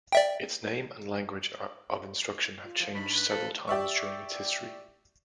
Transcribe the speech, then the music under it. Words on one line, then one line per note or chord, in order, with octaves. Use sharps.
Its name and language of instruction have changed several times during its history.
D5 E5 G5
F4
F3 F5
G2 D4 D#4 B5
B4
F4 A4 C5 F5
G4 D5 E5 C#6